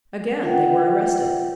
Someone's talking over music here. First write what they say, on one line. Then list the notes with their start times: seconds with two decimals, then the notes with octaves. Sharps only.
Again they were arrested.
0.42 F4 B4 E5 F#5 G5